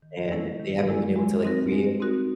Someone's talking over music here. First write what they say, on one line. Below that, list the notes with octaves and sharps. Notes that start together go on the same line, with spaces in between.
and they haven't been able to, like, real
D#3
G#3 C#4 E4 A4
D#3
G#3 C#4 E4 A4
G#3
C4 D#4 F#4 A#4
G#3
C4 D#4 F#4 A#4